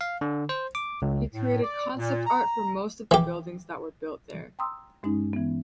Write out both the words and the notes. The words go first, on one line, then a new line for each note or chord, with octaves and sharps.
He created concept art for most of the buildings that were built there.
F5
D3
C5
D6
C#2
A2
D5
A#2
A#5
E3 G4
G5 A#5 C6 D#6 E6
G2 G#3 C#4 D#4
E3 B3